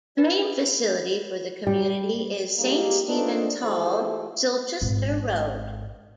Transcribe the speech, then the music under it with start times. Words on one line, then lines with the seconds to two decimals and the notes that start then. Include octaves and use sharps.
The main facility for the community is Saint Stephens Hall, Silchester Road.
0.18 B4
1.67 G3
2.58 G3 G#3 A#3 D#4 G4
3.06 A3 C4 D4 D#4 F4 B4
3.61 E3 G#3 A3 F4 G4 C5
4.81 G#1